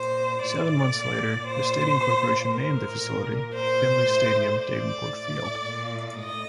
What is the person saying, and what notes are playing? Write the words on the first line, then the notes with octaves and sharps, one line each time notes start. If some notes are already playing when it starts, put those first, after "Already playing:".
Seven months later, the Stadium Corporation named the facility Finley Stadium Davenport Field.
Already playing: A#2 C5
A2 D5
A#2
A#2 C5
A#2
A2 A#4
A#2
A#2 C5
A2
A2 D5
A2
A#2
A2 D#5